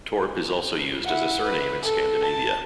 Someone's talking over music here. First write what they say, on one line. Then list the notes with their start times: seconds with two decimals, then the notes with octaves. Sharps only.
"Torp" is also used as a surname in Scandinavia.
1.05 E4 F#5
1.41 B4
1.82 A4
2.21 A5